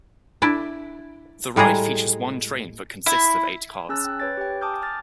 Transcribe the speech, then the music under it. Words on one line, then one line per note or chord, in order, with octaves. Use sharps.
The ride features one train that consists of eight cars.
D4 E4 D5
A2 G3 G#3 G#4 A#5
E4
C#4 G#4 A5 E6 F#6 A6
G5 F#6
B4 C#5 A6
G4 G5
G#5 A5 D6 D#6 F6 G6
F6 A6